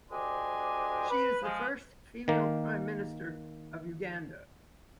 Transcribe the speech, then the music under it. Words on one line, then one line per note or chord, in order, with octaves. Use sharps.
She is the first female prime minister of Uganda.
D2 D4 G4 C5 D#5 G#5
B4
F3 G#3
D#3 A#3